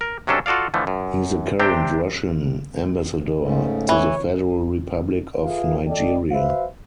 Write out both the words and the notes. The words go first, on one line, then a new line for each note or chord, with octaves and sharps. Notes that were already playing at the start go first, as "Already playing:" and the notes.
He is the current Russian Ambassador to the Federal Republic of Nigeria.
A#4
C3 F#3 C#4 D4 A4
F4 F#4 A4 D5 F5
D3 E3 F3 A3
F#2
C3 C4 D4 G4 G5
G#2 C#3 A3
E3 C#5
F4 G#4 A4 B4 E5 F5
G#1 F2 A4 D5 D#5 G5
F#4 B4 C5 E5 F5